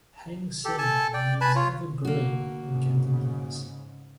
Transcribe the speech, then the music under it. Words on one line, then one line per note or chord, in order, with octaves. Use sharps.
Hang Seng means "ever-growing" in Cantonese.
G4 A4
A4 G#5 A5
D5 G5
B4 G#5 A5 B5
F4 C#5
D3 A#3 F#4
G#2 C#3